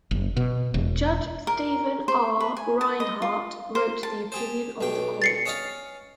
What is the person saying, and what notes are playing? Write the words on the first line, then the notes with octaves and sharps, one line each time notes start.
Judge Stephen R. Reinhardt wrote the opinion of the court.
F#1
B2
E1
A#4
C5
B4
G#5
A5
D#5
F4
C5
A5
G4 G#4 C5
B1 G2 G5
A6 C7 C#7
C#4 D#5 F5